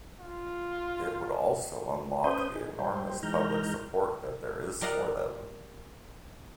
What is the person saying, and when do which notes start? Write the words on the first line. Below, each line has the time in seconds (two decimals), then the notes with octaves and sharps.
It would also unlock the enormous public support that there is for them.
0.20 F4
2.24 C#4 B4 C5 D#6 G6
2.55 D#4 G#4
2.79 G3 C5 G5
3.23 E3 G#3 D#4 A#5 F6 G6
4.81 G4 A#4 D5 D#5 F5 F#5